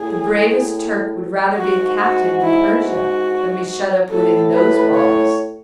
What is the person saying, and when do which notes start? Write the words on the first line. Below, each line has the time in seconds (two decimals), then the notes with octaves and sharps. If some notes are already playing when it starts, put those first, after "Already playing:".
The bravest Turk would rather be a captive in Persia than be shut up within those walls.
Already playing: A2 G#4
1.57 G#2 F#4
1.99 F#4
2.41 E4
2.84 F#4
4.10 A2 A4
4.52 B4
4.95 C#5